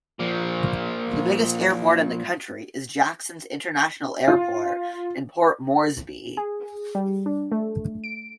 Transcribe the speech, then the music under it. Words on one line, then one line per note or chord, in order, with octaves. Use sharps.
The biggest airport in the country is Jacksons International Airport in Port Moresby.
A#2 F3
F4
G#4
G3
D4
A3
D7